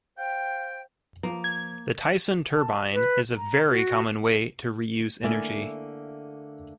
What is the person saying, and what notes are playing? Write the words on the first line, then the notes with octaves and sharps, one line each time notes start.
The Tyson Turbine is a very common way to reuse energy.
C5 F5 G5
F3 A#3
G#6
A5
B4
A#5
F#4
D3 A3 A#3 E4 E5 G#5